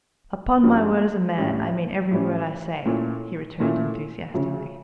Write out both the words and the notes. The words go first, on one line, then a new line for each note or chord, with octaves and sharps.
"Upon my word as a man, I mean every word I say," he returned enthusiastically.
G2 F3 C#4
A2 G3 C#4 G4
A2 G3 C#4 G4
A#2 A3 C#4 E4
A#2 A3 C#4 E4
D2 C#3 F3 C#4